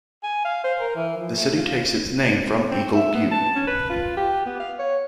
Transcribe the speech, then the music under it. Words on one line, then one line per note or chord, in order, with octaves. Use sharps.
The city takes its name from Eagle Butte.
G#5
F5
C5
A#4
E3
F3
A3
F4
C4
E5
B3
A5
C#4
B4
F4
G4
B3
F5
C#5